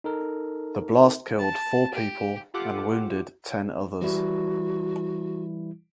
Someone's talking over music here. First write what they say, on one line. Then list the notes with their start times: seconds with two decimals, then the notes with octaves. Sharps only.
The blast killed four people and wounded ten others.
0.04 D#4 A4 A#4
1.39 A5
1.94 G4
2.54 F4 G4 A4 F#5 D6
4.02 E3 G3 E4 F#4